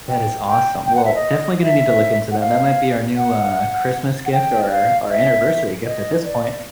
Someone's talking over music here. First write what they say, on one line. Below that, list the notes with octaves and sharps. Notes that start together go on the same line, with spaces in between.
That is awesome, well, definitely gonna need to look into that, that might be our new, uh, Christmas gift or or anniversary gift at this point,
G5
G5
G5
F#5
E5
D#5
E5
F#5
F5
F#5
F#5
G5
F5
E5
D#5
D5